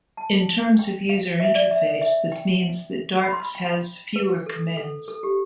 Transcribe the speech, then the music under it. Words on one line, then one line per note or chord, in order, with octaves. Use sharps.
In terms of user interface, this means that Darcs has fewer commands.
A5
G5
F5
E5
D5
E5
E5
G5
B5
C6
B5
G5
B4
A4
A4
A4
G4